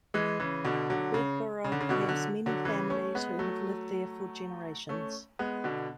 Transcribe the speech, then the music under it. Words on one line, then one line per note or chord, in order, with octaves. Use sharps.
Bidborough has many families who have lived there for generations.
E3 G#3
C#3 E3
B2 D3
D3 F#3
C#3
C#3
D3
C#3
B2 D3
D3 F#3
D3 F#3
C#3 E3
A3 C#4
G#3 B3
F#3 A3
A3 C#4
G#3 B3
B2 D3